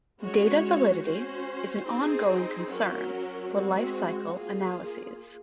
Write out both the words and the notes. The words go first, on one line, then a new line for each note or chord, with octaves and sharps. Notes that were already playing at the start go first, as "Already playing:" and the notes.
Data validity is an ongoing concern for life cycle analyses.
G#3 C#4 F#4 C#5
C#4 F#4 C5
C4 D#4 G#4 C5
F#3 C#4 F#4 A#4
G#3 C4 F#4
A#3 F4 G#4